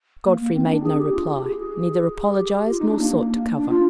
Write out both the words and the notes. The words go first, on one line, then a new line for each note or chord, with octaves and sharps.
Godfrey made no reply--neither apologized nor sought to cover.
A#3
A#3
C4
D#4
D4
G#4
G4
F4
G#4
G4
G#4
G#4
G4
F4
D#4
D4
A#3
D4
F4